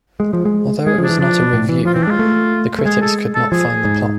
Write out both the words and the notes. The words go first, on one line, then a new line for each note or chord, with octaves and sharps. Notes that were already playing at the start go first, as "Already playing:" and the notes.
Although it was not a revue, the critics could not find the plot.
G#3
F3
G#3
G#3 G#4
F3 D4
E3
F3 D4
B2
A2
E3
F3 F4
C4
E3
D4
G#3
F4
A3
A3
G#3 G#4
A4
A4
F3 G#4
G#2